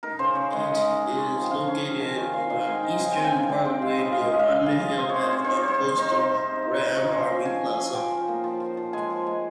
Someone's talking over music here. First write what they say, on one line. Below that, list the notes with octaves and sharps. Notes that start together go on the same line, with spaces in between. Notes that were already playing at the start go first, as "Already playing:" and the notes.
It is located on Eastern Parkway near Underhill Avenue, close to Grand Army Plaza.
D#4 A#4
C#3 C5
C#3 C#5
G#3 D#5
G#3
D#4
C#4
C#4
F3
G5
F3 F5
C#4
F3
D#3 G#5
D#3
C4 F5
D#4 F5
G#3 G#5
G5
D#4
C#3 G#5
C4 G5
G5
C#3 G#5
G#3 G5
C4 G5
G#3 F5
C#3 D#5
G#3 F5
D#5
G#3
F5
D#4 D#5
C#3 F5
C#3 D#5
C3 C5
C#5
C4
C5
C4 C#5
D#4 C5
C#5
G3 C5
C4
D#4 C5
C3
C4
D#4
D#4
D#4
F3 C#5
C#4 C5
F5
C#4
F3 G#5
C#4
G#5
C#4
F3 G5
F3
A#3
F3
F3
F3
G#3 G#5
F3
G#3